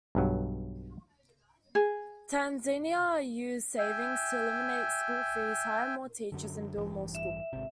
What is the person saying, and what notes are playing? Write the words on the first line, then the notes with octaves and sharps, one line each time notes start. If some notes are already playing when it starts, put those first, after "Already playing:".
Tanzania used savings to eliminate school fees, hire more teachers, and build more schools.
B1 G2 F#3
G#4
E5 G5 G#5
F#2 D3
A1 G2 E3
E5
G#1 C3